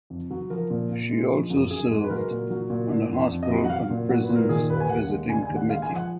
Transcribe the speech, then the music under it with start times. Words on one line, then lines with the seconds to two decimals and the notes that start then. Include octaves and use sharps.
She also served on the Hospital and Prisons Visiting Committee.
0.10 F2
0.31 F#3
0.50 F3 A#4
0.70 A#2
0.91 A#2
1.11 G#3
1.30 F3
1.50 F#2
1.70 F#2 G#4
1.91 G#3
2.04 B4
2.10 F#3 A#4
2.31 A#2
2.50 F#3
2.70 A#2
2.90 D3
3.09 F2
3.29 F2
3.43 D#5
3.50 F#3
3.56 D#5
3.65 F#5
3.70 F#3 F5
3.90 A#2
4.09 F#3 F#5
4.23 B4
4.30 A#2
4.36 A#4
4.49 D#3 G#4
4.70 D#2 B4
4.80 G#5
4.89 D#2 F#5
5.09 G#3
5.29 D3 G#5
5.43 G#5
5.49 D#2
5.56 F#5
5.68 G#3 F5
5.82 G#5
5.88 F3
5.96 F#5